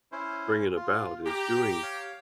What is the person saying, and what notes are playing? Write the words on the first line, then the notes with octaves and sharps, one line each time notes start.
bringing about, is doing
C#4 E4 C5
F4
G4 A#5
C#5 F5